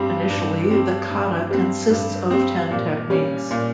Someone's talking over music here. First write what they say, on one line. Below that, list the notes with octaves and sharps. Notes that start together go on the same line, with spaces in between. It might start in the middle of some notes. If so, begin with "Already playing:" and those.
Initially the kata consisted of ten techniques.
Already playing: G2 G3 C4
G2
G3 C4
G2
G3 C4
G2
G3 C4
A#2
G3 C#4
A#2